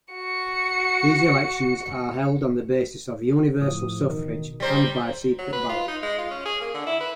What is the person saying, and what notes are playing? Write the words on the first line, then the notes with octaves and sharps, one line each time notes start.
These elections are held on the basis of universal suffrage, and by secret ballot.
F#4 C#7
A2 F3 D#6
A1 B2 D#3
G3 C5 A#5 A#6 B6
F#3
B4
F4
D#4
G#3
F4
C#4
G#4
A#3
D3
E4
B4